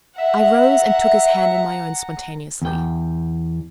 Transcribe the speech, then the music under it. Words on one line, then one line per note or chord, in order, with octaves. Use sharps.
I rose and took his hand in my own spontaneously.
E5 F#5 A#5
E2 G5